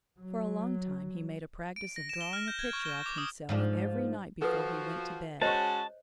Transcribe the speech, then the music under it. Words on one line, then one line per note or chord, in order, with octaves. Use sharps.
For a long time he made a practice of drawing a picture of himself every night before he went to bed.
F#3
D7
A#6
E7
G7
F6
G6
G#6
C#6
G7
D6
D#6
G#2 F3 D4
F3 F#4 A4 B4
G#3 C#4 F#4 C5 C#5 D#5 A5